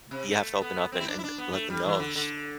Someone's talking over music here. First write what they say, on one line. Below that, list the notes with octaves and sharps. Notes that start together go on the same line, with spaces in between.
you have to open up and and let them know sh
C3
A3
B3
C4
E4
D4
E4
D4
B3
A3
G3
E3
D3
D3